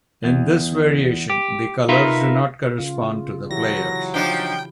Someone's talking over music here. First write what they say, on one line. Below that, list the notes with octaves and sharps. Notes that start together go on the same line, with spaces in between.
In this variation the colours do not correspond to the players.
E2
G4
D#4 F4 A#4 B4 E5 F5
C#3 F4
E3 F#3 E4 G4 A#6
F3 D4 D#4 G5